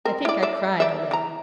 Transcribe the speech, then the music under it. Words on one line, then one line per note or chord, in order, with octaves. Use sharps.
I think I cried a little.
C4 A#4
E4 D5
D5 E5
D5 E5
E3 A#5